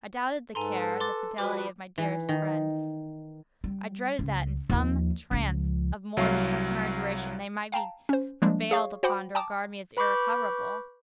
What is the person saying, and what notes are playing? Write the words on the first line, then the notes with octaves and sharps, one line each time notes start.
I doubted the care, the fidelity of my dearest friends. I dreaded that, in some trance of more than customary duration, they might be prevailed upon to regard me as irrecoverable.
G#2 A4 B4 G#5 A#5 C6
C6 D6 A6
F3 G3 F#4 B4 D6
E3
D#3
G3
C#2
D#2 F3
C#2 F3
C2 F#3 F5
F5 G5 A5 A#5
C#4 C5
F3 G3 G#3 A#3 D4
G#4 C#5 F5 C#6
F#4 C5 F#5 G5 B5 D6
G5 A5 A#5 D6 D#6
B4 B5 C#6 D6 G6